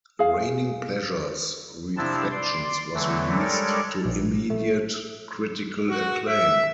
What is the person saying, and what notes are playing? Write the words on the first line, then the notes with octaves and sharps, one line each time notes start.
Raining Pleasure's "Reflections" was released to immediate critical acclaim.
G#4 F5
C3 F3 C4 D4 E4 A5
D5 C6
D3 E3 F#3 A3
G3 G#3 A4 A#4 C#5 D5
A#1
A3
F#4
E5